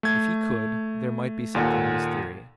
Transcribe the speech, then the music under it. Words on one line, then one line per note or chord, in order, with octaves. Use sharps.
If he could, there might be something in his theory.
A3 G#6
D#2 A#2 A4 F#5